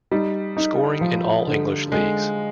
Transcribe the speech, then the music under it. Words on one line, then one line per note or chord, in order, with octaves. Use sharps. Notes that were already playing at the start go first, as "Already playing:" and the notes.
Scoring in all English leagues.
G3 D#4
D#4
F3
D3
D3 G#3